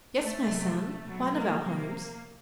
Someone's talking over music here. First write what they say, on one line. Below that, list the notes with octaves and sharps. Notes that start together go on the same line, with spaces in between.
"Yes, my son, one of our homes."
A3
C3 D#3 F#3
A3
B2 F#3
A#3
C3 F3 A#3